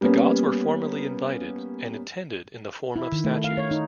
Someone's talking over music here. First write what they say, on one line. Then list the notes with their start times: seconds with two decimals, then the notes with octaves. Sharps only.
The gods were formally invited, and attended in the form of statues.
0.01 G3 A#3 B3 C#4
2.96 E4
3.12 D#3
3.24 A3
3.44 F5
3.58 C#5
3.71 D#4